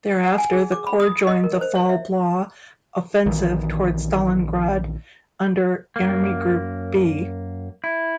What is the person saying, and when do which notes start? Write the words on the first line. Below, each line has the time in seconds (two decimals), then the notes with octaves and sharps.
Thereafter the corps joined the "Fall Blau" offensive towards Stalingrad under Army Group B.
0.24 F#5
0.38 G#5
0.53 G#4
0.72 D6
0.87 B5
1.00 D#6
1.27 D#5
1.44 A#4
1.61 C5
1.75 C#5
1.89 E5
3.26 A#1 D#3 E3
5.96 F#2 A#3
7.84 E4